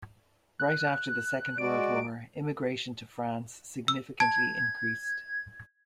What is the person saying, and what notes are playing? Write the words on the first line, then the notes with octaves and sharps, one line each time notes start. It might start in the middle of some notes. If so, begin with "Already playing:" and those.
Right after the Second World War, immigration to France significantly increased.
F#6
G#3 F#4 D5 D7
E6
A5 G#6